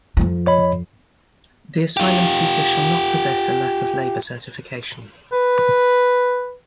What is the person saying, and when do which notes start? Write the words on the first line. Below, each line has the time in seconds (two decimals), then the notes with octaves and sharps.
The asylum seeker shall not possess a lack of labor certification.
0.17 F2 F3
0.47 C#5 D#5 B5
1.97 F4 G4
5.32 B4